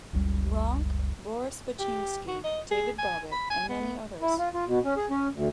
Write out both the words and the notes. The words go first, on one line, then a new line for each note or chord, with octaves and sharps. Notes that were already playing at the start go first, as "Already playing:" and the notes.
Ronk, Boris Baczynskj, David Boggett and many others.
F#1 C#2 G3
G4
F#4
D#5
G#4
G#5
B5
G#5
B3
E4
F4
F4
B2
C#4
G#4
C#4
D2